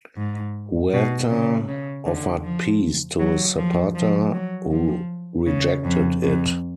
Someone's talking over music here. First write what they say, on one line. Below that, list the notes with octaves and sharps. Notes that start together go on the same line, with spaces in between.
Huerta offered peace to Zapata, who rejected it.
G#2
B2
C#3
C#3
D3
F3
F#3
F3
F3
F#3
F3
C#3
F2
F2